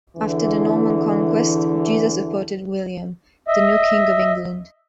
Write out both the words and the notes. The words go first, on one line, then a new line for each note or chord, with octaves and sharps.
After the Norman Conquest, Gisa supported William, the new king of England.
E2 D3 E3
D#5 E5